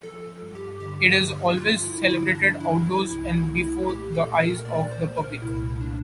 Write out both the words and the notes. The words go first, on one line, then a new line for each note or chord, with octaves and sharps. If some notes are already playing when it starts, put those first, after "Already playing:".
It is always celebrated outdoors and before the eyes of the public.
F3 A4
G2
G4
D3 G4
D3
G2 F4
E4
D3
E4
F3 D4
E4
F3
E4
C2 E4
E4
A3
E4
A#2 G4
A4
A3
A#4
A#2 D5
C5
A#2
A#4
C2 E4
A#2 D4